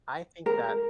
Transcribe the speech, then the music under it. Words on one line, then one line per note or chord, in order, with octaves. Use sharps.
I think that
A#4